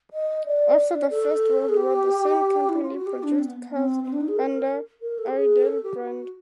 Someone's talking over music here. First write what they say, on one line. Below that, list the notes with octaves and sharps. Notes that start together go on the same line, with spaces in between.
After the First World War, the same company produced cars under Airedale brand.
D#5
D5
A4
G#4
G4
E4
F4
F#4
G4
D4
C4
B3
B3
C4
C4
D4
D#4
G#4
A#4
A#4
A4
G4
G#4
A#4
A4
G4
F#4